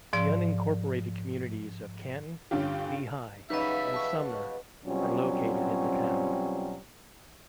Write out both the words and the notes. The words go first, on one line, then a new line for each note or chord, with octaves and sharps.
The unincorporated communities of Canton, Lehigh and Sumner are located in the town.
G#2 F3 D5
G2 D3 C#4 F4 G4
C#3 F#3 G3 D#4 B4 D#5 E5
A5 C#6
B2 F#3 G3 C4 C#4 F4